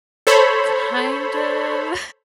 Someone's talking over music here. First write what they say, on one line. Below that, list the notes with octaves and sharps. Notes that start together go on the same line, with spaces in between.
Kind of,
A4 C5 C#5 B5